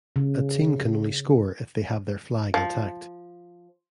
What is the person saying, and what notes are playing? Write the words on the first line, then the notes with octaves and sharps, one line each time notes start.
A team can only score if they have their flag intact.
C#3
F3